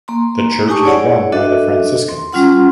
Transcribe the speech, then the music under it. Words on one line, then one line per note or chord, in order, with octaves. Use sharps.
The church is run by the Franciscans.
A#3 A#5 C6
D4 D#4 G4 G#5 A5 C#6
E4 G#4 C#5 D5 F#5
D4 F#4 A4 D#5 E5
C6
G3 C#4 F4 F#5 C6